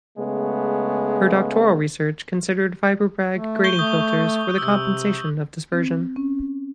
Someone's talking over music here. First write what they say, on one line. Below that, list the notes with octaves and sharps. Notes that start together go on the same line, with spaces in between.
Her doctoral research considered Fiber Bragg grating filters for the compensation of dispersion.
C#3 G#3 A3 B3
A3
C#6 G6 G7
A3 C#6 D#6 G6
C3 E6
C4
C#4